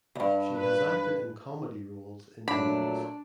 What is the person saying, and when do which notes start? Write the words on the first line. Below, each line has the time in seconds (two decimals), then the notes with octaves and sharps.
She has acted in comedy roles in movies.
0.15 E2 G2
0.58 B4
2.48 A#2 F#3 A3 D4 B5